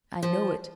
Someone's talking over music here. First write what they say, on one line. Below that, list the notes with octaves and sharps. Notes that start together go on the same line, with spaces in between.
I know it.
F3